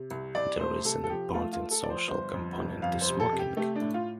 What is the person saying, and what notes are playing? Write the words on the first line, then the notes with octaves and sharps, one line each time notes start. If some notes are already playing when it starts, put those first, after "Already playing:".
There is an important social component to smoking.
Already playing: C3
C2
C2 D5
A3 C5
C3 A4
A4
F3 G4
A3 F4
F4
A3
A4
F3 D5
C5
G1 C5
F2
G1
F2 F5
C5
C3
A4
C3
G4
A3 G4
D4
A2
F4